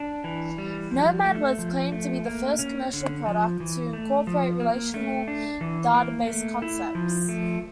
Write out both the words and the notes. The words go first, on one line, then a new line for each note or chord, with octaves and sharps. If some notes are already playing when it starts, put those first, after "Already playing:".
Nomad was claimed to be the first commercial product to incorporate relational database concepts.
Already playing: D4
E3
G3
F3
A3
F3
A3
A#3
C#4
D3
F3
E3
A3
F3
A#3
A3
D4
E3
A#3
A3
E4
F3
A3